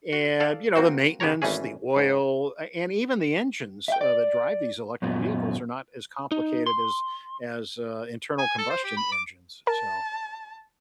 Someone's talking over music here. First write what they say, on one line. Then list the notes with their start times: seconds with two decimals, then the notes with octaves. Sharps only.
and, you know, the maintenance, the oil, a and even the engines, uh, that drive these electric vehicles are not as complicated as as, uh, internal combustion engines, so,
0.13 F#4
0.40 A4 D5 F5
0.76 A#3 C4 F#4 C5
1.20 C#3 B3 G4 A#4 C#5 A#5
1.42 G#1 E3 A3 C#4 G#4
1.96 G#2
3.88 E5 G5
4.01 D5
5.02 F#2 A#2 B3
6.32 D#4
6.66 C6
8.38 G#5
8.58 A4
8.70 C5
8.84 G4
8.97 B5
9.12 D6
9.67 A#4 A5